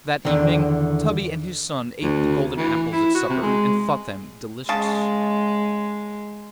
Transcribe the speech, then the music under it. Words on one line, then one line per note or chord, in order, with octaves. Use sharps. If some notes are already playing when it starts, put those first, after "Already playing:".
That evening Tubby and his son ate the golden apples at supper, and thought them delicious.
E2 D3 D#3
D2
E3
E4
F#4
C3
G#3
C#3 G#3 A5